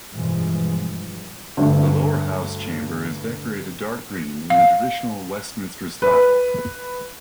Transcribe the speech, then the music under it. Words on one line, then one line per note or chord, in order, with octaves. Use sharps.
The lower house chamber is decorated dark green in the traditional Westminster style.
G2 B2 E3 F3 G#3
D2 G2
F5
B4